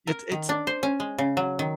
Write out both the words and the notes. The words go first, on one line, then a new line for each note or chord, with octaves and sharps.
it's it's
A#4
D#3
D4
C5
C#4
G#3
C#3
F#3
D#3